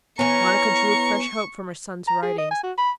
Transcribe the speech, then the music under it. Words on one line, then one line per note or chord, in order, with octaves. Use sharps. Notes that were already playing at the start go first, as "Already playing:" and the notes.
Monica drew fresh hope from her son's writings.
E3 B3 C#4 G#5 A#5 C#6
A#5
G#4
D#5
G#5
F#4
B5